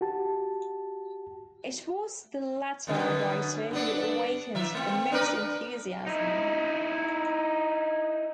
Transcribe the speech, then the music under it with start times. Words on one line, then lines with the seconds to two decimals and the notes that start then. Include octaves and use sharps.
It was the latter writer who awakened the most enthusiasm in him.
0.01 F#4 G4 A5
2.87 F#2 B2 D3
3.71 G2 B3 D4
4.55 E3 E5
4.74 A3 C4
5.12 D4 A#4 B4
6.07 D#4 E4